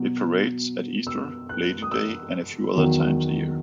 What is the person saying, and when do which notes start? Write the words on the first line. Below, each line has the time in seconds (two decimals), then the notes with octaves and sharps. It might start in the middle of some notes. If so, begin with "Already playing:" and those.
It parades at Easter, Lady Day and a few other times a year.
Already playing: B2 F#3
1.07 E6
1.49 F#6
1.82 D#6
1.92 E6
2.75 E2 D#3 F#3